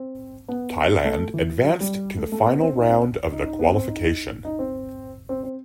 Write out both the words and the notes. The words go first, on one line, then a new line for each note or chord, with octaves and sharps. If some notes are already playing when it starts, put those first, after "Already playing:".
Thailand advanced to the final round of the qualification.
Already playing: C4
B3
A3
E3
F#3
G3
A3
A3
B3
C4
D#4
C4
D#4
D#4
B3
C4
D#4
D#4
C4
C4
C4